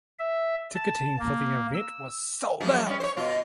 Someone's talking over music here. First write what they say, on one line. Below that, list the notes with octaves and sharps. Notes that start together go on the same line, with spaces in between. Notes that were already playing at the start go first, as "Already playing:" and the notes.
Ticketing for the event was sold out.
E5
A5
A#3
E6
F#2 F3 G#4
G3 C#4
C5 C#5
B2 F4